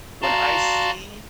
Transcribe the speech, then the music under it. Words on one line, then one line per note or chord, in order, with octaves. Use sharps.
when I see
F#4 D5 F5 A5 A#5 C6